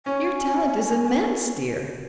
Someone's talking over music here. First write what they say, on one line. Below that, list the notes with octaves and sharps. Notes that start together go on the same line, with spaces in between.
"Your talent is immense, dear!"
C#4 G#5